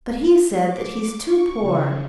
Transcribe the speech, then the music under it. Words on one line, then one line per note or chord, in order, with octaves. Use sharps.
But he said that he is too poor.
D6
C#6
C#3